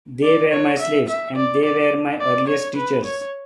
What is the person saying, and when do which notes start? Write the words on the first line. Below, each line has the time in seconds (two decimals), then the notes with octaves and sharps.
They were my slaves; and they were my earliest teachers.
0.23 D5
0.52 C#5
0.79 E5
1.09 E5
1.36 D5
1.64 D5
2.20 D5
2.48 C#5
2.77 B4
3.05 C#5